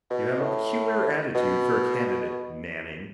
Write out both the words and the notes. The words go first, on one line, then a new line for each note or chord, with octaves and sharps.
"You have a peculiar attitude for a candidate, Manning."
B2
A2
B2